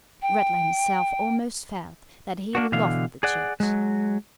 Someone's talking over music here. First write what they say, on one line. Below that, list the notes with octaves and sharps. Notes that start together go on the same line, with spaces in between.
Ratler himself almost felt that he loved the Church.
G5
A#3 D4 F#4
B2 D3 E3 F5
G#4 D5 F#5
F#3 G#3